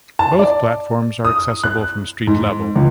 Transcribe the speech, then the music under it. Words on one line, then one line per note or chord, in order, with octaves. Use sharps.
Both platforms are accessible from street level.
A5
D5
D#6
F#6
G#2
C#2